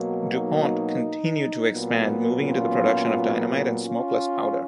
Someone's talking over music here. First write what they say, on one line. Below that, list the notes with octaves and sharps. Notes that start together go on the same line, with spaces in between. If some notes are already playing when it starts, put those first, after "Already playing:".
DuPont continued to expand, moving into the production of dynamite and smokeless powder.
Already playing: B2 F#3 A#3
D#4
A#2 F#3 B3
C#4 F4
C#4 F4